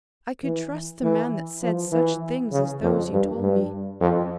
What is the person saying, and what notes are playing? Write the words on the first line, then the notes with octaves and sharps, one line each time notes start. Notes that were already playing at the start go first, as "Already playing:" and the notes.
I could trust the man that said such things as those you told me.
E3
E3
F3
E3
C#3
F2
G2
G2
F2